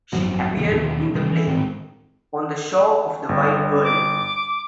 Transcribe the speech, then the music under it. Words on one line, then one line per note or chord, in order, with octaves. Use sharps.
She appeared in the play, "On the Shore of the Wide World".
G#1 F#2 F3 F#3
A#1 E2 G2 C#3
D#2 B2 D#3 F3
C3 D#3 G3
E3
D1 G#2 D#3 C4
G1
D6